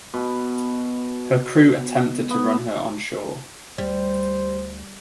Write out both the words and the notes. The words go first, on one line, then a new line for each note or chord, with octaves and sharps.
Her crew attempted to run her onshore.
B2
B3
D2 G3 C5